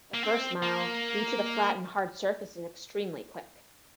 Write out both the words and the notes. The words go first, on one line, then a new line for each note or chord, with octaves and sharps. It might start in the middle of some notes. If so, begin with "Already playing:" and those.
The first mile, due to the flat and hard surface is extremely quick.
A#3
C4
A#3